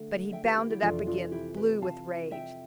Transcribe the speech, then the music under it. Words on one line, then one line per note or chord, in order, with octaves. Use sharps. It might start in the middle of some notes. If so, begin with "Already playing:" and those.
But he bounded up again, blue with rage.
Already playing: D3 A3
E5 G5
G4 B4
G4 B4
E4 G4
F2 C3 E3 D4 F4
D4 F4
E4 G4
G4 B4
F5 A5
E5 G5